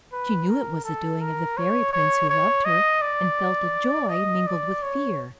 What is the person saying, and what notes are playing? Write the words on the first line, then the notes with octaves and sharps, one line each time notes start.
She knew it was the doing of the fairy-prince who loved her, and felt a joy mingled with fear.
B4
A#4
A4
A#4
C#5
C#5
C#5
D#5
D5
D#5
D5
C#5